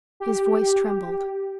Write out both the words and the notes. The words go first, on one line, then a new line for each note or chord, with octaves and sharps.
His voice trembled.
G4